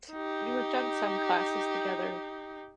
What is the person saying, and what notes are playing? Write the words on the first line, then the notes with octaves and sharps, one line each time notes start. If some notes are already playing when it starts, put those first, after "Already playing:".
t y we've done some classes together.
D#4 G4